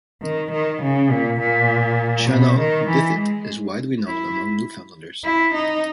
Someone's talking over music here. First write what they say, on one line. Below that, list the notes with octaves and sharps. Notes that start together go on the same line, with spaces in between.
Shanawdithit is widely known among Newfoundlanders.
D#3
D#3
C#3
A#2
A#2
B2
D#3
E3
G#3
E4
E4
D#4